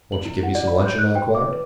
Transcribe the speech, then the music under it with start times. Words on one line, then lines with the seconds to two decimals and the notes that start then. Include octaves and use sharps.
"Won't you give me some luncheon?" I inquired.
0.12 F#7
0.25 E4
0.43 F#5
0.55 D5
0.67 B5
0.86 G6
0.98 F#6
1.15 G5
1.35 D6
1.49 B4